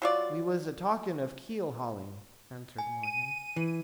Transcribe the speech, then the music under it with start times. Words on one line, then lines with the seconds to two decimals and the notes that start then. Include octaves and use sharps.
"We was a-talkin' of keel-hauling," answered Morgan.
0.02 F#3 F4 D5
2.78 G#5
3.03 D#7
3.56 E3